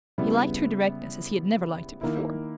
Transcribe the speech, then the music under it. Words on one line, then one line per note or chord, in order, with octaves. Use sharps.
He liked her directness as he had never liked it before.
C#3 G3 B3 E4
D#3 A#3 E4